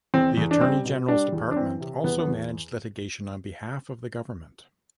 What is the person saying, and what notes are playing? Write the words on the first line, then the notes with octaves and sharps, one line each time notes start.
The Attorney-General's Department also managed litigation on behalf of the government.
E2 C4
E2
D4
G3 C4
B2
G3 D4
E2
D4
E3 C4
C3
E2 B3
B3
E2